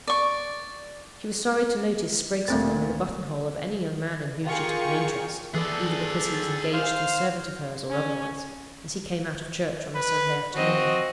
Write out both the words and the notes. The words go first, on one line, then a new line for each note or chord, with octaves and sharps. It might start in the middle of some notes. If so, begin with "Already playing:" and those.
She was sorry to notice sprigs of them in the button-hole of any young man in whom she took an interest, either because he was engaged to a servant of hers or otherwise, as he came out of church on a Sunday afternoon.
D5 C#6
D2 A#2 A3 C4 A6
F4 G4 G#4 A#4 C#6
E3 G#4 A4 D5
C5 F5
C#4
B4
F3 C4 F#4 D#5